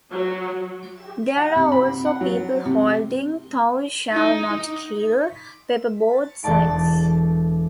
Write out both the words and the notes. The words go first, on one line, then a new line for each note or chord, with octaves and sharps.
There are also people holding "Thou shall not kill" paperboard signs.
F#3
F#5
C3
B5
C4
F#5
F#3
C3
D#4
E1 A4 D5 A5 D7